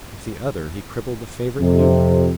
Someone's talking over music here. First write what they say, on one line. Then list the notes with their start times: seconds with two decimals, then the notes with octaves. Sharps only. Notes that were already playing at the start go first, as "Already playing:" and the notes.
With the other he crippled a favorite ewe.
1.61 F2 C3